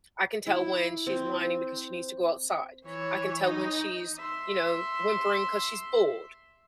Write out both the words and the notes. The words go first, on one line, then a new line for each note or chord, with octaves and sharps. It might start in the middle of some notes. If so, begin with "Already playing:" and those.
I can tell when she's whining because she needs to go outside. I can tell when she's, you know, whimpering 'cause she's bored
E4
C4
E3 C#5
D#4
E5 C6